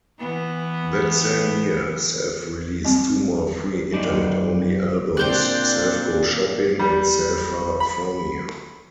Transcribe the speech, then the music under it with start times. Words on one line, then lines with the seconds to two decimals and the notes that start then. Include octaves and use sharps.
That same year, Self-released two more free Internet-only albums, "Self Goes Shopping" and "Selfafornia".
0.19 E3 B3
2.85 G3 C4
3.93 F#2 D#4 D5
5.17 A#2 C4 D4 G4 C5 D5 F#6 G6
6.79 G3
7.80 B5